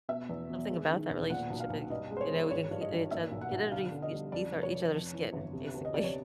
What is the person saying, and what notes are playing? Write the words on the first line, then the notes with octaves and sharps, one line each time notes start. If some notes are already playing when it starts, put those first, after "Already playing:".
something about that relationship, like, you know, we can k each other get underneath each eth each other's skin, basically.
B2 E5
E2
B2
G#3
D#3
E1
A#2 F#5
B1
F5
B1
G2 D#5
G#3
C5
C#5
E3
G#1 C#5
G2
D#5
G#1
A#3 E5
B1
F#5
B1
D3 F5
D3
D#5
G3
F2 D5
F1
C#5
F2
F2
E3
G1
C3
D2
D#5
C3 D5
C#5